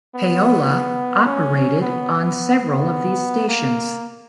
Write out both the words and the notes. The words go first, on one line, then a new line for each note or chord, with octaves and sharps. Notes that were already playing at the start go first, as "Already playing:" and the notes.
Payola operated on several of these stations.
B3
C#4
B3
A#3